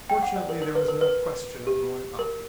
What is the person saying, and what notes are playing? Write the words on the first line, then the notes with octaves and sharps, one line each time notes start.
But fortunately there was no question of going up.
G5
F#5
D5
A#4
A#4
B4
A#4
B4
G4
A#4